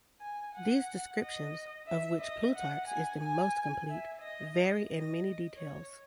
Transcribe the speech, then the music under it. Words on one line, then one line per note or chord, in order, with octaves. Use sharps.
These descriptions, of which Plutarch's is the most complete, vary in many details.
G#5
F#5
D#5
E5
D#5
F#5
G#5
G#5
E5
D#5
D#5
C#5